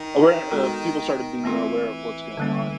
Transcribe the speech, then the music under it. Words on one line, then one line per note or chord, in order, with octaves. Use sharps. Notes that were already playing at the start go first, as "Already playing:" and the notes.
aware uh, people started being more aware of what's going on.
Already playing: D#3
G#3 B3 D#4 F#4 A4
E3 A3 C4 F4 A4
D3 G3 A#3 C#4